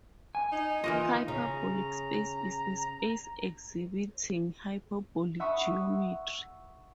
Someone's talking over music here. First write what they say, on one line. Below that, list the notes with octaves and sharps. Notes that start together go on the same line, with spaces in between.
Hyperbolic space is a space exhibiting hyperbolic geometry.
G#5
D#4
E3 A#3 F4 D#5
C#3 A#5
E5 F#5 B5 C#6 D#6